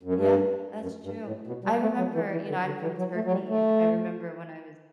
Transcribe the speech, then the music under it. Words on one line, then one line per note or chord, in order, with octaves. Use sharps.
Yeah, that's true. I remember, you know, I'm from Turkey and I remember when I was
F#2
G2
F#2
G2
A2
B2
G3
A3
F#3
E3
E3
D3
D3
E3
F#3
A3
F#3
G3
A3